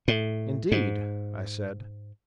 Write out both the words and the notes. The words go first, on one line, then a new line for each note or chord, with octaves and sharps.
"Indeed," I said.
A2
G#2